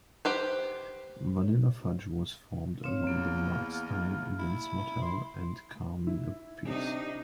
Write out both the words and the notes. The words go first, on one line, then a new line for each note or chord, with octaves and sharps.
Vanilla Fudge was formed along with Mark Stein, Vince Martell, and Carmine Appice.
G4 B4 C5
C4 C#5 F5
E2 A#3
E4
C6
E4
C3 D4 D#4